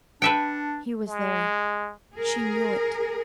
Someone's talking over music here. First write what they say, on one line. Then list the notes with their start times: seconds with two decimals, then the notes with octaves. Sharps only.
He was there, she knew it.
0.22 D4 B4 E5 G5 A5 C#7
1.07 G#3
2.14 G#4 A#4